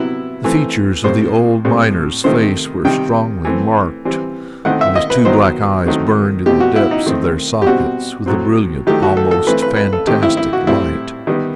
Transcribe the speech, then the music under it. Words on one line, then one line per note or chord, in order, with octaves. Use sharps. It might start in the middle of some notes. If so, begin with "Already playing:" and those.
The features of the old miner's face were strongly marked, and his two black eyes burned in the depths of their sockets with a brilliant, almost fantastic light.
Already playing: C3 F#3 B3 E4
E3 A3 C4
A2 G3 C4 C5
A2 G3 C4
C3 D#3 A3 C5
C3 D#3 G3 G5
E3 A3 C4
E3 G3 C4
D#3 A3 C4 F#5
E5
D#5
B4
D#3 F#3 B3 C5
D#3 F#3 A3 C4
B2 A3 C4 G4
F#4
E4
D#4
D#3 A3 C4
G4
B2 G3 C4 F#4
A2 F#3 C4
D#3 F#3 A3 G4
F#4
A4
A4
E3 A3 C4 B4
B4
B4
A4
D#3 A3 C4 G4
E4
E4
F#4
A2 G3 C4 E4
D#3 G3 B3